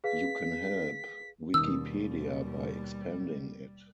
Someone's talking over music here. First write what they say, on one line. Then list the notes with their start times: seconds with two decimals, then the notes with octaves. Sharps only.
You can help Wikipedia by expanding it.
0.04 G#4 B4 F5 B6
1.54 D#2 B2 D#3 G3 D#6 E6